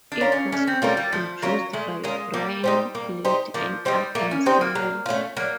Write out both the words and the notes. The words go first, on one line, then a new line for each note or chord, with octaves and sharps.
It was co-produced by Brian Blade and Adam Samuels.
D4
C#4 F4 A#4
C#4
A3 C#4
C4
G3 C#4 F4 A#4
G3
F3 A3
F#3 C#4 F4 A#4
G#3 A3
G#3 C#4 F4 A#4
G3 A#3
D#4 G4 C5
A#3
D#4 G4 C5
F3 A#3
G3 D#4 G4 C5
A3 A#3
C#4
C4 D#4 G4 C5
A#3
F#3
A3 C#4 F4
F#3 A#3